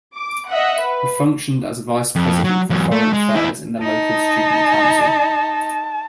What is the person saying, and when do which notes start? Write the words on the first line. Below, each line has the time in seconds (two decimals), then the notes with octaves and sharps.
He functioned as vice president for foreign affairs in the local student council.
0.15 D6
0.50 D#5 E5 F#5
0.80 B4
2.16 F2
2.44 F#3
2.70 E2 F#3
2.91 A3
3.13 G#3
3.35 E2 E4
3.83 D#4 A5